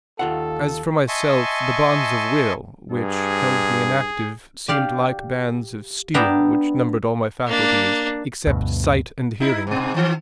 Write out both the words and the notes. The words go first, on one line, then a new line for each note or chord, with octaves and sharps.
As for myself, the bonds of will which held me inactive seemed like bands of steel which numbed all my faculties, except sight and hearing.
D#2 F4 A4 F#5
D#5 E5 G#5 A5 C6 C#6
G2 G#4
G4 D5 F5
B3 D4 E5 G5 A#5 B5
A#3 D4
D2 G2 B2
D#4 E4
G#2 B2
D#3 F3